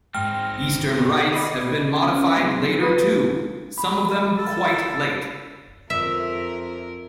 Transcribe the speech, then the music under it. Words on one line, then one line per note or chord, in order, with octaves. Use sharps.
Eastern rites have been modified later too; some of them quite late.
G#2 G#3 C4 D#4 G5 F6
D5 D#5 B5
C#4
B1 F#2 G#3 C4
F4 B4 B5 D#6
B5
A4
F2 A#4 E5